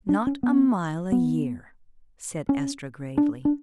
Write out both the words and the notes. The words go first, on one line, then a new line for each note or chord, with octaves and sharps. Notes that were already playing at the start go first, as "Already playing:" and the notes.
"Not a mile a year," said Estra gravely.
D4
C#4
B3
B3
C#4
D4
D4